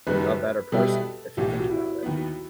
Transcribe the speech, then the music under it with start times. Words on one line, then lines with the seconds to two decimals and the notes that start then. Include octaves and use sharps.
a better person, if you think about it.
0.07 F#1 F#2 D#3 G3 B4
0.72 B2 G3 B3 E4 G4 A4
1.37 B1 A2 E3 G4
1.59 F#4
1.70 E4
2.03 D#2 D#3 F#3 B3